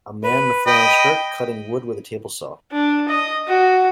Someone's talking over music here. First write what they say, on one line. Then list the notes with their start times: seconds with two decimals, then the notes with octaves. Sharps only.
A man in a flannel shirt cutting wood with a table saw.
0.24 B4
0.67 D#5 G5 B5
2.72 D4
3.08 D#5
3.48 F#4